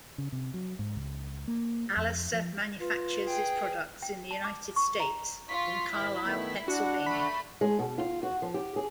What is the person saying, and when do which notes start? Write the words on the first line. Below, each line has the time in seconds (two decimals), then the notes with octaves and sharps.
Alacer manufactures its products in the United States, in Carlisle, Pennsylvania.
0.18 C#3
0.32 C3
0.54 F#3
0.79 G#2
0.96 C#2
1.48 A#3
1.97 F2
2.33 F3
2.80 F4 B4
3.23 G#4 G5
4.02 G5
4.31 A5
4.44 D6
4.76 C#6
5.00 A#5
5.49 F4 C#6 B6
5.93 G#2 D#3 E4
6.24 D#3 A3 B3
6.68 D4 F#4 F#5
7.06 A3 B5
7.61 G#3
7.79 B2
7.98 F4
8.23 F#4
8.42 F3
8.54 G4
8.76 G#4